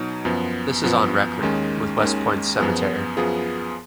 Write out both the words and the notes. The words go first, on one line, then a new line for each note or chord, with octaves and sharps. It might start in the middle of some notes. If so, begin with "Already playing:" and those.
This is on record with West Point's cemetery.
Already playing: B2 F#3 D#4
F#2 F3 B3
F#2 F3 B3
D#2 D#3 G#3 C#4
D#2 D#3 G#3 C#4
F#2 F3 B3 F4 G#4
F#2 F3 B3 F4 G#4